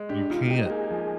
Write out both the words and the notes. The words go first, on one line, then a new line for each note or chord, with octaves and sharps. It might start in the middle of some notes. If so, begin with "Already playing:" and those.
you can't
Already playing: G#3
D4 G4
D#4 F4
D#4 G4
G4
A#3 G#4
F3